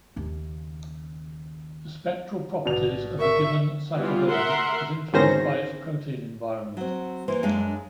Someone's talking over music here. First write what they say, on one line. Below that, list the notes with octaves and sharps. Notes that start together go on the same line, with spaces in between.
The spectral properties of a given phycobilin is influenced by its protein environment.
D#2 C#3
A1 G#2 B2 D5 F7
A#4 E5 C#6
E3 G3 B3 F4
A#4 E5 F#5 C6
G#1 E2 D#3 C#4 C5 A#6
F#3 C4
E3 A#3 B4 C5
F#2 G#3 D4 F5